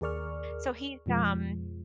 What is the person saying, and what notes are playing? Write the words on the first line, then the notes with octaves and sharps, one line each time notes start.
so, he's, um
D#2 G#4 A#4 D5 C#6 F6
F2 B2 F3 G#3